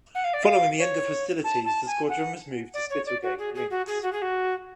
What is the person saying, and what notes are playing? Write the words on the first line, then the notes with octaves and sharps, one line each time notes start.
Following the end of hostilities the squadron was moved to Spitalgate, Lincs.
F#5
F5
D5
F5
C#5
A5
A5
G#5
F#5
D5
C#5
D5
F#4
G#4
G#4
F#4
G#4
F#4
G#4
F#4